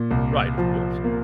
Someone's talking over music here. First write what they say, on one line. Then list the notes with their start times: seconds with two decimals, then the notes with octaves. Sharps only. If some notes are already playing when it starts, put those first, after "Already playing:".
Right, of course.
Already playing: A#2
0.11 C2
0.58 F3
1.04 A#3